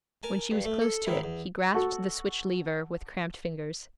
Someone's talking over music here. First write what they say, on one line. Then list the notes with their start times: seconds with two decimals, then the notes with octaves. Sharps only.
When she was close to it he grasped the switch-lever with cramped fingers.
0.23 A#4 G#5 A5
0.51 G2
0.65 A3
0.81 A4
1.06 G#2 D#3 E4
1.24 E2
1.74 F#4 A4